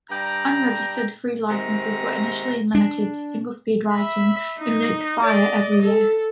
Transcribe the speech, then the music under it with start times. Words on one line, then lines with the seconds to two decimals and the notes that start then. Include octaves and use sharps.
Unregistered free licenses were initially limited to single-speed writing and would expire every year.
0.11 G2 D5 G5 A#5
1.49 G#2 C3 D#3 C4 A#5
2.75 D4
3.93 E5 B5
4.59 D#4
5.25 D5 D#5
5.82 A4